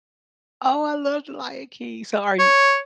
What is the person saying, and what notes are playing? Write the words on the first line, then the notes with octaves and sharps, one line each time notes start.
Oh I love the Lion King so are you
C#5